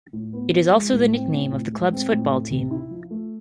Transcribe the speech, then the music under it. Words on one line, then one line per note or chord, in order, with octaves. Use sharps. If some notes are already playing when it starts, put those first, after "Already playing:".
It is also the nickname of the club's football team.
A2
B3
F3
G#3
A2
C4
A2
A2
G#3
C4
A2
A3
C3
E4
F3
A3